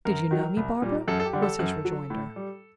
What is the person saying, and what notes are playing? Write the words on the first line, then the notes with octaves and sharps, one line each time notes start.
"Did you know me, Barbara?" was his rejoinder.
F#2 A#4
D#3 F#3
C2
A#2 G3
F#2 A4
A4
G4
D3 G3
A4
F#2
F#3
A2
G3